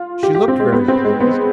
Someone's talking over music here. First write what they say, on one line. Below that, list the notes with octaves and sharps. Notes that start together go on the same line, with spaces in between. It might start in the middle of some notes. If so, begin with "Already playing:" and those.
She looked very pleased.
Already playing: F4
G4
G4
C4
G#3
B3
C4
G#3
B3